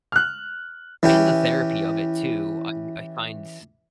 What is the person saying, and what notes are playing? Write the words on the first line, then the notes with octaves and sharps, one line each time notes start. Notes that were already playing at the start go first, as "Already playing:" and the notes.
And the therapy of it too. I I find,
F6 F#6
E3 C#4 E4 G4